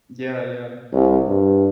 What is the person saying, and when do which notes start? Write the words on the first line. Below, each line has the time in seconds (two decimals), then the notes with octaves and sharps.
Yeah, yeah.
0.93 C2
1.27 G2